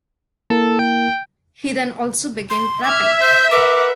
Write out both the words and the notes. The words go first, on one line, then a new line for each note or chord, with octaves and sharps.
He then also began rapping.
A#3 E4 A4 A#4
G5
C6
E5 D6 F6 G#6
C5 G6
A#4 B4 F#5 D6